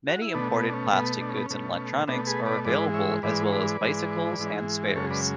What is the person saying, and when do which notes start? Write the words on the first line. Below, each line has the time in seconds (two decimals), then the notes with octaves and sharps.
Many imported plastic goods and electronics are available as well as bicycles and spares.
0.08 F#4
0.22 E4
0.34 B2 A3 B3 D4
0.54 B3
0.69 D4
0.73 C#4
0.92 B2 A3 B3
1.21 D4
1.30 C#4
1.38 B3
1.46 B2 A3 C#4
2.07 B2 A3 B3 D4
2.27 G#4 B4
2.46 B4 D5
2.65 G#2 E3 G#3 B4 D5
2.94 C#5 E5
3.23 G#2 E3 G#3 B4 D5
3.46 C#5
3.52 B4 D5
3.81 G#2 E3 G#3
4.38 G#2 E3 G#3
4.96 F#2 C#3 G#3 A4 C#5
5.11 B4 D5